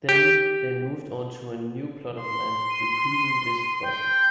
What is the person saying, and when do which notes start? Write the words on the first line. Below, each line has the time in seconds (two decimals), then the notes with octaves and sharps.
Then, they moved on to a new plot of land, repeating this process.
0.09 G4
2.22 C6
2.70 D#7
3.83 G5